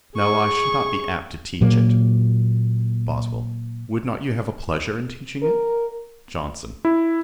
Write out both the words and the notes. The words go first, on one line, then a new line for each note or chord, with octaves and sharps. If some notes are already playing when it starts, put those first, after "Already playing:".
'No, I should not be apt to teach it.' BOSWELL. 'Would not you have a pleasure in teaching it?' JOHNSON.
G#4 C#6
A#2 F#3 A#3
A#4
E4